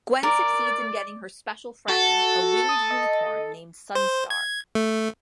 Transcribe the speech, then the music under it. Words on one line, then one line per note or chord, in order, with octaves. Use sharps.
Gwen succeeds in getting her Special Friend, a winged unicorn named Sunstar.
A#4 D5
F#4 A4
D#6
D#5
C5
G#6
A3